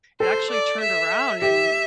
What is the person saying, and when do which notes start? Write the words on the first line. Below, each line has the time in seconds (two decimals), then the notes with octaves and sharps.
it actually turned around and
0.20 A4 C5
0.51 D5
0.81 E5
1.41 G4 E5